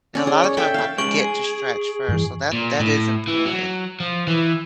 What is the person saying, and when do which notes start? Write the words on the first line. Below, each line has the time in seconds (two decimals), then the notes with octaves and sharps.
and a lotta times I forget to stretch first. So that that is important.
0.15 C#4 D5
0.27 G#4
0.44 C#5
0.57 A4 E5 G5
0.74 E5 F5
0.98 G#3 C#4 D#4 C#6 D7 F#7
1.20 G#4
2.08 G2 E3
2.53 A#2
2.80 A2
3.27 E3
3.46 F#3
4.00 F3
4.27 E3